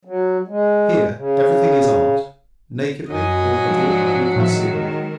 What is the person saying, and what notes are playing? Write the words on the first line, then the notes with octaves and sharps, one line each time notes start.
Here every thing is art, nakedly, or but awkwardly concealed.
F#3
G#3
C#3
F#2 F#3 D#5 G#5
G#2 F3 D4
A2 D#3 F3 G#3 E5
A#4